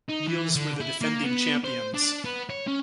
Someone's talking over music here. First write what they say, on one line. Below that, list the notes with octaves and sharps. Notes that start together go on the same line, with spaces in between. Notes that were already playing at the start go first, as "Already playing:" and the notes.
Nils were the defending champions.
D#4
E3
D3
E4
A#3
B3
C5
D4
B3
C#5
C#4